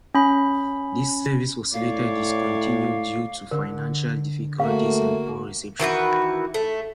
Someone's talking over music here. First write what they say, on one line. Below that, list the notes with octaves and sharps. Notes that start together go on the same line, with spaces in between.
This service was later discontinued due to financial difficulties and poor reception.
C#4 B5
A2 C#5 D5 F5
D3 A#4
A3 A#3 F#4 G#4 F5
D#3 E3 F#4 B4
A3